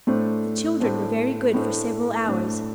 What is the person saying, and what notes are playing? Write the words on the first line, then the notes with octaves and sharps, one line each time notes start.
The children were very good for several hours.
A2 A3 D4 C5
A2 A3 D4 C5
A2 A3 D4 C5
A2 A3 D4 C5